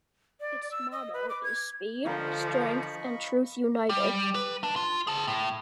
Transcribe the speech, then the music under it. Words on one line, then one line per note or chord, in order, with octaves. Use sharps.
Its motto is "Speed, Strength and Truth United".
D5
E6
D#5
B4
D6
G#6
D3 F3 A#4 D#5 F5 G#5 B5 C#6
G3
B4
D4
F4
G#4 A5
A2